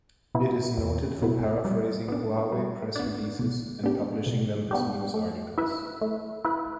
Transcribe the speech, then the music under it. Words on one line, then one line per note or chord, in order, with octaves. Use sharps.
It is noted for paraphrasing Huawei press releases and publishing them as news articles.
B2 B3 E4
E2
B2 B3 E4
G3
B3 D4
G3
B3 D4
B2
B3 D4 G4
B2
B3 D4 G4
A3
E4 B4 E5
A3
E4 B4 E5